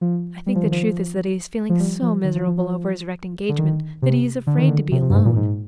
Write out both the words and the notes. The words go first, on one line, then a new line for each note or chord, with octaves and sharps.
I think the truth is that he is feeling so miserable over his wrecked engagement that he is afraid to be alone.
F3
G3
F3
D#3
F3
F3
G3
F3
D#3
F3
F3
F3
D3
D#3
C3
D3
D#3
D3
C3
C3
G2
G#2
A#2
G#2